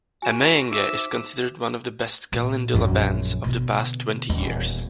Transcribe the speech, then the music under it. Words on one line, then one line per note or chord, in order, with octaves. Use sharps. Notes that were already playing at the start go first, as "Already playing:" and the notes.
Amayenge is considered one of the best kalindula bands of the past twenty years.
F#4 G#5 E7
D#4 C5 E5 D6
A#2
A#1 F#2
B2 D3
D#1 E2